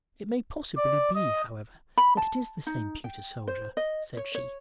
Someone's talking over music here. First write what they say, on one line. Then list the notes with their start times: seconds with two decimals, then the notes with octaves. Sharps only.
"It may possibly be, however, that it is the same pewter soldier!" said she.
0.77 D5
1.15 D#5
1.98 B5
2.17 A5
2.67 D#4
3.04 G5
3.48 C5
3.77 D#5
4.17 C#5
4.35 C#5